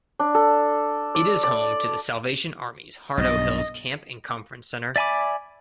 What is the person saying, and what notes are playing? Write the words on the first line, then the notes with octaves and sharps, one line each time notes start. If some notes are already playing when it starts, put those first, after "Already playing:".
It is home to The Salvation Army's Heart o' Hills camp and conference center.
D4
A4
D5
D5
B1 G2 D#5
D5 E5 G#5 B5 D6